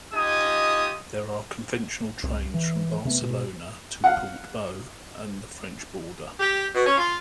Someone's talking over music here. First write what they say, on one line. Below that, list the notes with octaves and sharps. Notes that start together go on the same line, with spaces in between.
There are conventional trains from Barcelona to Portbou and the French border.
D#4 F4 G4 D#5 G#5 D#6
C2
E3
C3 A3 B3
B2
F5 F#5
G4
B2
C#4
F4